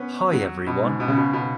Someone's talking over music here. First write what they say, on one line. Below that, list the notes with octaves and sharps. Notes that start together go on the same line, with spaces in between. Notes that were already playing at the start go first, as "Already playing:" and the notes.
Hi everyone.
Already playing: B3 C#4
F#3
B2
G#2
B2
C#3
B2
B2